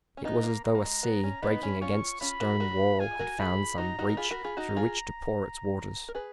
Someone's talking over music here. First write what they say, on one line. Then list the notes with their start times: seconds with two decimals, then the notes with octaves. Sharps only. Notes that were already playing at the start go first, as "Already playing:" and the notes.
It was as though a sea, breaking against a stone wall, had found some breach through which to pour its waters.
0.17 C#4
0.24 B3 D#4 A#5
0.44 A#3
0.64 G#3 A#5
0.75 A#3
0.85 G#3
1.03 B3
1.23 C#4
1.42 B3 D#4 B5
1.63 C#4
1.81 C#4 F4 C#6
2.21 C#4 F4 B5
2.40 F#4 A#4
2.60 F#4 A#4
3.00 F4 G#4 G#5
3.19 F#4 A#4
3.39 F4 G#4 B5
3.78 D#4 F#4 A#5
3.99 D#4 F#4
4.09 A#4
4.17 F4 G#4 B5
4.31 F#4 A#4
4.44 F4 G#4
4.57 D#4 F#4 A#5
4.76 F4 G#4
6.08 A#4
6.15 G#4 B4